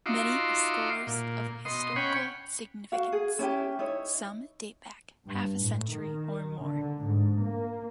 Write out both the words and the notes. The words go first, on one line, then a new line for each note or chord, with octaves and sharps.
Many are scores of historical significance; some date back half a century or more.
D#4 F4 F#4 E5 C6 D6
A#2
B2 D#5 C6
C#4 C#5 F#5 G5 B5
F#4 F5
G#4
C#4 E4 G4
D#4 E4 C#5
G2
A2
D#3
D3
G#2
A#3